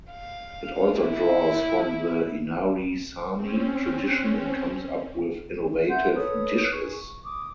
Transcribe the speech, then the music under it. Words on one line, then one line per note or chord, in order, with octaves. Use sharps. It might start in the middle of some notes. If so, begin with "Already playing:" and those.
It also draws from the Inari Saami tradition and comes up with innovative dishes.
F5
E4
C4 C#4
E5 F#5 C6 G6
A4 B4 C#5 D#6
G#4 B4 C#6
C#6
D6 D#6